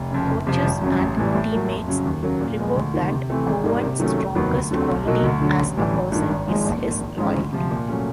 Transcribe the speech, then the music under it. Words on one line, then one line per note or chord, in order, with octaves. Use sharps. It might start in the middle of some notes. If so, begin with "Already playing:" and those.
Coaches and teammates report that Cowan's strongest quality as a person, is his loyalty.
Already playing: F1
F2 C#3
F#1
F2 C3 F3
G#1
F#2 C#3 F#3
A1
A2 E3 G3
A2
F#3 A#3
F2
C#3 F#3
D#2
C#3 F#3 A#3
A#2
F3 G#3 B3
D2
C3 D#3
C3
E3 A3 C4
G#1
G#2 D#3 G3 A#3
C3
D#3 F#3 A3 C#4
F1
D#2 D#3 F#3 B3
D2
D3 F#3 A3 C4
B1
B2 F#3 A#3 D#4
D2
D3 F#3
A1
A2 E3 G3
G#1
G2 D#3
G#1
G#2 F3 G#3
A#1
G#2 D#3
G#1
G#2 E3 G#3 C#4
D2
C3 F3
A#2
F#3 A3 C#4